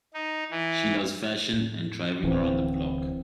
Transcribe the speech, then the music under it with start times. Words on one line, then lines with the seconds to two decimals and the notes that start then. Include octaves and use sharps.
She loves fashion and driving around the block.
0.14 D#4
0.51 E3
1.53 A2
2.23 D1 D3 E3 C4